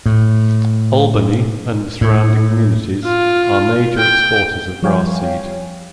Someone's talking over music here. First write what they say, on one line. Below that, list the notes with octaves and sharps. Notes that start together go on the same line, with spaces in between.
Albany and the surrounding communities are major exporters of grass seed.
A2
A2
F4
G5
F3 G3 C#5 F5 G5 G#5